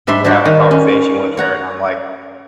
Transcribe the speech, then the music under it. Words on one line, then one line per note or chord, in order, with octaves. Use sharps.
we had that conversation with her and I'm like,
G#2 G3 D4 E5 C6
G3 D4 F#4 C5
D#3
C#4
C#5 F#5 A#5